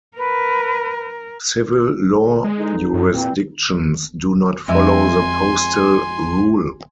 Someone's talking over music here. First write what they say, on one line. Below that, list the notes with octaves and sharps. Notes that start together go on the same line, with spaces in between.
Civil law jurisdictions do not follow the postal rule.
A#4 B4
G#3
E2 D3 D#4
F#2
A#2 E3 G3 C4
F2 G#3 E5 G#5 C6